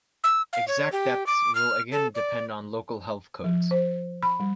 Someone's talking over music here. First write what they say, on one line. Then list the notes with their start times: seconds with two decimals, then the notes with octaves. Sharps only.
Exact depths will again depend on local health codes.
0.24 E6
0.53 F5
0.68 C#5
0.92 G4
1.26 D6
1.55 F6
1.91 A4
2.15 D5
3.44 F3
3.71 C5
4.22 B5
4.40 G3